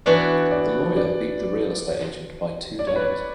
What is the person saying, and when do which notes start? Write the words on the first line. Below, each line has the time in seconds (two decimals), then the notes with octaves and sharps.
The lawyer beat the real estate agent by two days.
0.06 E3 B3 D4 F#4 D5
0.51 D5
0.96 D5
2.79 D5
2.87 C#5
2.96 B4
3.04 C#5